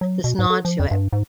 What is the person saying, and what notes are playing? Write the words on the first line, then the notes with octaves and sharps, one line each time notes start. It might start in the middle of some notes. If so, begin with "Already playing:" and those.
this nod to it.
F#3
B2
G#2
A4
F3
F2
G2
G#2